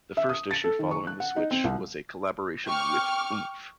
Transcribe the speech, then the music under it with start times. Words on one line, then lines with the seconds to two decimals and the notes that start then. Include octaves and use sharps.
The first issue following the switch was a collaboration with Oomph!
0.17 E5
0.29 D#6
0.51 A6
0.64 A4
0.79 D#3
0.91 C#6
1.07 F#6
1.20 F#5
1.36 D#4
1.51 C4
1.64 C2
2.65 G5 C#6 D6 F6